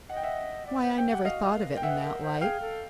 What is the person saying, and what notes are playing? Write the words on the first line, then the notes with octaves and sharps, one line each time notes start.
"Why, I never thought of it in that light."
D#5 F#5
G5
E5 F#5
D5
C5
C5 G5
G4 F#5
F#4 D#5 F5
A#4
B4
A#4
G5
B4 E5 F#5
A#4
C5
G#4 F5 G5
A4